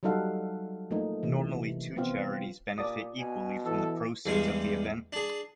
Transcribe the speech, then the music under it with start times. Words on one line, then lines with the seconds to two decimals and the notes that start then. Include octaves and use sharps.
Normally two charities benefit equally from the proceeds of the event.
0.03 F#3 G3 D#4 A4 F5 F#5
0.91 F3 A3 A#3 D#4
1.23 C3 E3
1.96 F3 B3 C4 F4 F5
2.78 A#2 D5 D#6
3.19 B2 G#5
3.65 E3 A4
4.26 E2 G2 G#3 G#5
5.13 D4 G#4